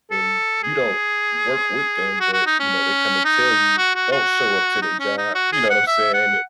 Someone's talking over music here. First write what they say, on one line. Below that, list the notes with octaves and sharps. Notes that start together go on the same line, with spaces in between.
and you don't work with them, but, you know, they come and tell you, don't show up to their job, you know what I'm saying i
A4
G#4
F#4
F#4
D#4
C#4
D#4
F#4
F#4
F#4
D#4
C#4
D#4
F#4
G#4
F#5
E5
F#5